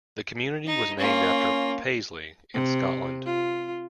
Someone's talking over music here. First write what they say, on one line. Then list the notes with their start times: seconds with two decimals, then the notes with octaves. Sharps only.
The community was named after Paisley, in Scotland.
0.67 D#4
0.99 A#3 C#4 F4
2.54 C3
3.26 F4